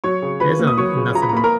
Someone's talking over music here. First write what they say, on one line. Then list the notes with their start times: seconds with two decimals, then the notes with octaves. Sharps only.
it's not nothing,
0.04 F#3 C#5 C#6
0.22 C#3
0.40 F4 B4 B5
0.59 A#3
0.67 D#6
0.78 F#3 C#5 C#6
0.97 C#3
1.15 F4 A#5
1.22 B5
1.29 A#5
1.33 A#3 B5
1.44 A#4 A#5